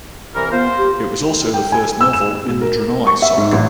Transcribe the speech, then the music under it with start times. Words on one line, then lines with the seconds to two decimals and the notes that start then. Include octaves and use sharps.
It was also the first novel in The Drenai saga.
0.35 C2 E3 A#4
0.52 B3 F4 C5
0.78 G4
1.54 G5
1.72 G#5
2.01 E6
2.13 E7
2.45 B2
2.61 A#4
3.07 C#6
3.22 E5
3.38 G#2
3.52 A1